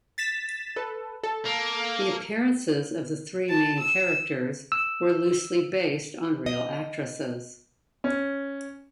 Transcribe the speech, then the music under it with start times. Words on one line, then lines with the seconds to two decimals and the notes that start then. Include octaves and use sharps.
The appearances of the three main characters were loosely based on real actresses.
0.18 A6 B6 E7
0.76 A4 B4
1.23 A4
1.45 A#3
3.49 A5
3.80 E6
4.72 E6
6.46 D#5
8.04 C#4